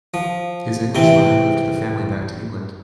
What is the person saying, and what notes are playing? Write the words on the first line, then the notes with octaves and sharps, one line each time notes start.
His English mother moved the family back to England.
F3
C3 E3 C4